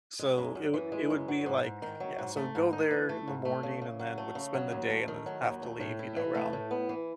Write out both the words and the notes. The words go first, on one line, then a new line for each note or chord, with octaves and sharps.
So, it would it would be like yeah. So go there in the morning and then would spend the day and then have to leave, you know, around
G#3
F#2
F#2
E3
G#3
F#2
F#3
G#2
G#2
D#3
F#3
G#2
A3
G#2
D#4
E3
A3
G#2
A3
C#3
C#3
F#3
A3
C#3
F#3
D#2
A3
D#3
F#3
D#2
A3
A2
E4
E3
A3
A2
B3
E3